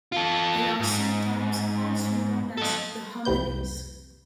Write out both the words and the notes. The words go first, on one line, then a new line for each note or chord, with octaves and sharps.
They are sometimes also known as "the homilies".
F4 A4
G#2
A4 D#5
C2 F2 C3 B4 G6